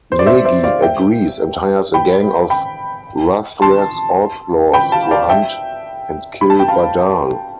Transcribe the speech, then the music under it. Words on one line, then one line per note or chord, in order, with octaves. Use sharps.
Negi agrees and hires a gang of ruthless outlaws to hunt and kill Badal.
C5
D5
C5 E5
C5 E5
D5 F5
E5 G5
G5 B5
G5 B5
A5 C6
G5 B5
F5 A5
D5 F5
E5 G5
B5
A5
G5
F5 A5